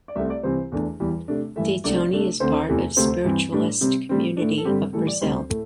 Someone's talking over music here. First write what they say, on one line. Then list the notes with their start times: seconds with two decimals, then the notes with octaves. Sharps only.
De Toni is part of spiritualist community of Brazil.
0.08 D5
0.15 C2 C3 A3 C4 E5
0.30 D5
0.43 C2 C3 E3 C4 C5
0.72 E2 E3 A3 D4
1.00 E2 E3 G3
1.28 C3 A3 D4
1.56 G2 E3 A3 E5
1.84 C2 C3 A3 D4 D5
2.12 C3 A3 D4
2.40 D2 D3 C4 C5
2.68 E2 C3 E3 A3
2.97 D2 C3 A3 C5
3.25 G2 E3 C4
3.52 A2 G3 D4
3.81 C3 G3 C4
4.09 A2 G3 C4
4.37 A2 A3 D4
4.58 A4
4.65 G2 D3 G3 C4 G4
4.93 A2 E3 G3 A4
5.07 D5
5.21 D2 C3 G3 C4 C5
5.50 A2 A3